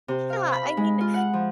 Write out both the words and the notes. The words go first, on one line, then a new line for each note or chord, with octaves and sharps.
Yeah, I mean s
C3
F5
B5
G#3
F4
F#5
F3